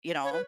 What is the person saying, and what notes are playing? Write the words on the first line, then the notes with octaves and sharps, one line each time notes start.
you know?
C#5
B4